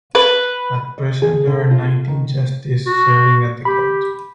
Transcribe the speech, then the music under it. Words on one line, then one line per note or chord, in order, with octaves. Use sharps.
At present there are nineteen justices serving at the Court.
B4
D#5
G#4
D3
F4
D#3
F#4
G4 B5